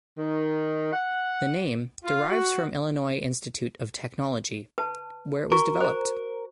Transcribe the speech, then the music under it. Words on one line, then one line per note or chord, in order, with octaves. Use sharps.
The name derives from Illinois Institute of Technology, where it was developed.
D#3
F#5
F4
F#4
B4 A5
F#4 A#4 A#5 C#6
C5 A#5